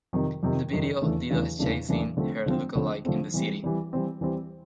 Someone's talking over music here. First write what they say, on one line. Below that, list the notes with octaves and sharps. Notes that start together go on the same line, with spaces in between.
In the video, Dido is chasing her lookalike in the city.
F2 C3 D#3
F2 C3 D#3
F2 C3 D#3
E2 C#3 E3 A3 D4
E2 C#3 E3 A3 D4
E2 C#3 E3 A3 D4
E2 C#3 E3 A3 D4
D3 F3 A3 C4
D3 F3 A3 C4
D3 F3 A3 C4
D3 F3 A3 C4
E3 G3 C4
E3 G3 C4
E3 G3 C4
E3 G3 C4